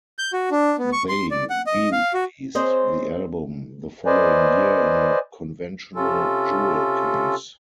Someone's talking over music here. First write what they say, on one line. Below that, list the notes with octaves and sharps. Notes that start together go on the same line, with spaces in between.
They re-released the album the following year in a conventional jewel case.
G6
F#4
D4
B3
C#6
C6
D5
F#5
D#5
F5
F#4
C4 G#4 C5 C#5 D#5
B4 C5 D5 D#5 G#5
C3 C#4 F4 A4